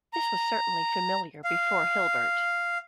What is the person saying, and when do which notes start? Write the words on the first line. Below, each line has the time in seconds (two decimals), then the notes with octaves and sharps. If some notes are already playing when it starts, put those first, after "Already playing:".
This was certainly familiar before Hilbert.
0.13 A#5
1.44 F5